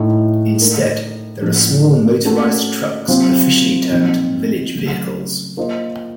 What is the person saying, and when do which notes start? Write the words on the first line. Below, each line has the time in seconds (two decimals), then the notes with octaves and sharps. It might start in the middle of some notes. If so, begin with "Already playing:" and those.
Instead, there are small motorised trucks officially termed "village vehicles".
Already playing: A2 A3 D#4
0.59 A3 D#4 A#4
1.41 A2 F3 A#3 C#4 A4
2.25 A3 C#4 F#4 A4
3.08 C3 F#3 C4 F4 C5
3.91 A#2 F3 C4 D#4
4.74 C#3 F#3 A3
5.57 A#3 F4 C5 D#5